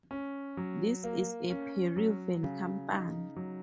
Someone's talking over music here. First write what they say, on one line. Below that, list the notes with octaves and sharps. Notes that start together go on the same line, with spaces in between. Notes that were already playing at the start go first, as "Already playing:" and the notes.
This is a Peruvian company.
C#4
F#3
A#3
C#4
F#3
C#3
D#4
F#3